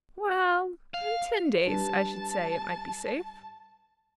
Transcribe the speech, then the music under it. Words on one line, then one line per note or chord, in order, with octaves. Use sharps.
"Well--in ten days, I should say, it might be safe."
F5
G3 D4 B4 A5